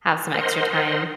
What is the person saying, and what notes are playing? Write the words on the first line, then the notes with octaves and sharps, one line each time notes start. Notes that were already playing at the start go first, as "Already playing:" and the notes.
have some extra time,
A#4 C5 D#5 F#5 C6